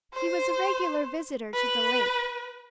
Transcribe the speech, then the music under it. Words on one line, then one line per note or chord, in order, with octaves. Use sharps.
He was a regular visitor to the lake.
C5
B4